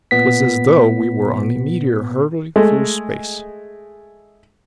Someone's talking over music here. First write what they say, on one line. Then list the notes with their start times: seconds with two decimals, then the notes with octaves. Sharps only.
It was as though we were on a meteor hurtling through space.
0.11 A#2 B3 B6
2.56 G#3 A3